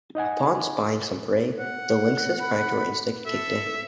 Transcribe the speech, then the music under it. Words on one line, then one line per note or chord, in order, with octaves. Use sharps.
Upon spying some prey, the lynx's predatory instinct kicked in.
D#4 D#5 F#5 G#5
F#5
B5
A4 E5